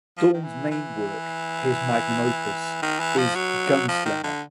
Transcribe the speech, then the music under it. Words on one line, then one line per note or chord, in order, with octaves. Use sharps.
Dorn's main work, his magnum opus, is "Gunslinger".
F3
D#3
E3
E3
D#3
E3
F3
F#3
F3
D#3
D3